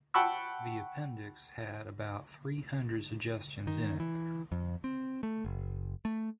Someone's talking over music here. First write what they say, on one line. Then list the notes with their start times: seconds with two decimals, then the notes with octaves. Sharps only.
The appendix had about three hundred suggestions in it.
0.14 F#5 G5 A5 B5 C#6 E6
3.67 D#3
4.00 E3
4.52 F2
4.84 C4
5.23 A3
5.45 F#1
6.05 A3